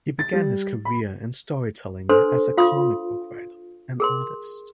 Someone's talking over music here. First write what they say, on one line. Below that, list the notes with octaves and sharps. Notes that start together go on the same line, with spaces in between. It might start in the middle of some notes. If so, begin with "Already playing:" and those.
He began his career in storytelling as a comic book writer and artist.
A6
G3
B5
D4 A4 B4 C5 C6
F4 F5 C6 D#6
G#4 A#4 C6